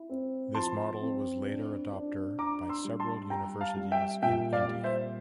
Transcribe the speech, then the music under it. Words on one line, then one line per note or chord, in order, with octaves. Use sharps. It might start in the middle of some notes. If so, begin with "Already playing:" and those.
This model was later adopter by several universities in India.
Already playing: E4
C4
F3 A5 C6
C4
D4
D4
D4 A#5 D6
C6 E6
G3
A5 C6
G3 G5 A#5
F5 A5
G3
E5 G5
A#2 E5 G5
D5 F5
G3
C5 E5